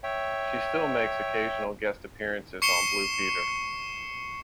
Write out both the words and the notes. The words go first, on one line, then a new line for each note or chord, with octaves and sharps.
She still makes occasional guest appearances on "Blue Peter".
C#5 E5 G5
C#6 C7 C#7 E7 G7